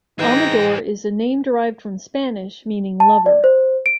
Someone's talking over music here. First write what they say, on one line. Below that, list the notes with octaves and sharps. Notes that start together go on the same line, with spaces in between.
Amador is a name derived from Spanish meaning "lover".
E3 D#4 G#4 C5 G5 A#6
A5
D5
C5
D7